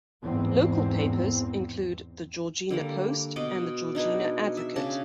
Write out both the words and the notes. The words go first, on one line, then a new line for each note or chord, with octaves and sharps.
Local papers include the "Georgina Post", and the "Georgina Advocate".
E2 G#2 C4
D3 G3 A#3
B2 F#4 D#5 D6
D4 D#4 G#4 B4
E5
C#3 D4 A5